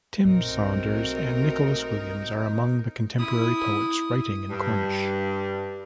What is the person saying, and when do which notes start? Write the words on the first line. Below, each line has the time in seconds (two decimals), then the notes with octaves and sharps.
Tim Saunders and Nicholas Williams are among the contemporary poets writing in Cornish.
0.25 B1 A#2 F#3 A3 C4 D#4 A#4
3.19 E4 D#6
4.49 G2